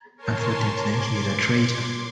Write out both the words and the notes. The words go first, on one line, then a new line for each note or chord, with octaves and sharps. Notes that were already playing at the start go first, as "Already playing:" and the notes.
Unfortunately, he is a traitor.
A#4 C#5 G#5 A5 C6
C6 D6 G#6